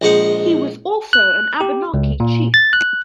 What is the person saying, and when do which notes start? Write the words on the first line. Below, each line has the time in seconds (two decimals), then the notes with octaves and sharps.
He was also an Abenaki chief.
0.02 A#1 G#3 C5 F#5
1.13 F#6
1.61 G4
1.94 C#2
2.20 A#2
2.54 A6
2.73 F#6